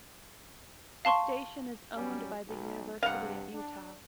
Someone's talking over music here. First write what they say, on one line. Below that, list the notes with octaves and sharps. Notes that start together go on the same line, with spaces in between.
The station is owned by the University of Utah.
F5 A5 C6 C#6
F#3 G3 C#4
B1
G2 C3 F5 F#5
D4